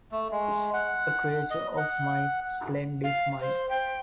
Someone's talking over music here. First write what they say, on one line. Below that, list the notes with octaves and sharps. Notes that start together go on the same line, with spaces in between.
A creature of my splendid mind.
A3
G#3
F#5
D#5
F#5
F5
C5
G5